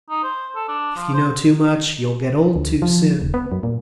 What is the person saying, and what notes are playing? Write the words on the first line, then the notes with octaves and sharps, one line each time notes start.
"If you know too much, you'll get old too soon."
D#4
C5
A4
D4
F3
C5
D2
F3
D#1
B3
F#2
A#2